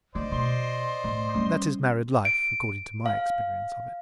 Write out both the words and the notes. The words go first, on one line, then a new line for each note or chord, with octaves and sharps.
That is married life, according to my experience of it.
D3 C5 D5 D#5
B2 C6
A2
G3 C#4
D7
F5